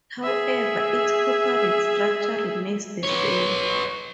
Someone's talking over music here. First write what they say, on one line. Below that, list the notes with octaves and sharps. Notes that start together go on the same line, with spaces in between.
However, its corporate structure remains the same.
G#4 E5
B4 C#5